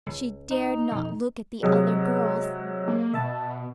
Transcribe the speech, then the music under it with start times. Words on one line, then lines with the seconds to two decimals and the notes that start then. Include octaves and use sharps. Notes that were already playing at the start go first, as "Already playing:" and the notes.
She dared not look at the other girls.
0.06 C#2
0.51 D#4
0.91 F2 B2 E3
1.63 C3 F#3 G#3 D#5
2.88 A#3
3.14 B2 E5 A5